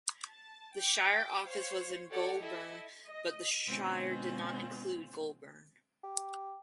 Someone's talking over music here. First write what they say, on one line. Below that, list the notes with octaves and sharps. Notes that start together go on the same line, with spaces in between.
The shire office was in Goulburn but the shire did not include Goulburn.
A5
G5 D6
C5 C#5 F5
F#4 G4 A4 C#5 D5 F#5
E4 A4 D#5 E5
D#5
B2 D3 G#3 C4 C#4 F4
G4